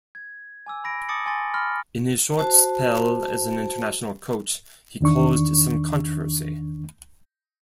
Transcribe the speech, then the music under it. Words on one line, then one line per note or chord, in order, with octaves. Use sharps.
In his short spell as an international coach, he caused some controversy.
G#6
G#5 D6 E6
B5 A#6 D7
A5 D6 D#6 A6 C#7 F#7
G#5 C6 A6
B5 C6 F6 A#6
F#4 C5 A5
E2 D#3 D4 C#6